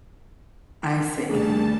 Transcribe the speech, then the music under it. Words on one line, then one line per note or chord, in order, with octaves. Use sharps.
I see.
D#2 G3 A3 D4 G#4 A5